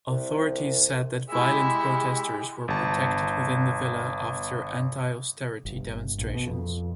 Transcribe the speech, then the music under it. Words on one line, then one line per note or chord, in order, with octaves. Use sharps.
Authorities said that violent protesters were protected within the villa after anti-austerity demonstrations.
C2
G#3 E4 G4 E5
G1 A5
G1
A#1
B2
F2